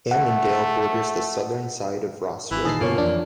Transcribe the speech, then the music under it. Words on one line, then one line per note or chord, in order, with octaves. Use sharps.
Annandale borders the southern side of Ross River.
A3 F#5
G#1 E3
A#2 D#3 D#4 G#4 A5 C7
G2 B2 D3 A#3 F4 C#5
F2 E3 D4